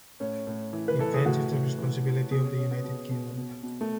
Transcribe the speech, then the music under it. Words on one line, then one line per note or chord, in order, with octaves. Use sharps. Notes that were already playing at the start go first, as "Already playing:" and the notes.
Defence is the responsibility of the United Kingdom.
A2 C#4
A2
E3
B4
E3 A4
G#4
A2 F#4
A2
E3
E3
B2 G#4
C#4
B2 C#4
B3
B2 C#4
B2
B2
B2
A3